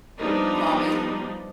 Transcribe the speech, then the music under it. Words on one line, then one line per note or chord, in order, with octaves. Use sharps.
I'm always
F3 G3 B3 D4 D#4